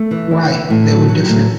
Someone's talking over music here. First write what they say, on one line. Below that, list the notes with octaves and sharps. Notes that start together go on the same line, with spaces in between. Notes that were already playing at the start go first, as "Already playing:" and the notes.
Why, they were different!
Already playing: A3
E3
E4
E3
A2
F#3
F#3
A2